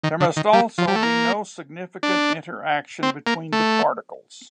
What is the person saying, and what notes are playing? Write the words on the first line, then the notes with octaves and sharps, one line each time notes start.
There must also be no significant interaction between the particles.
D#3
D3
D#3
G3
F3
G3
A3
A#3
D4
C4
A#3
A3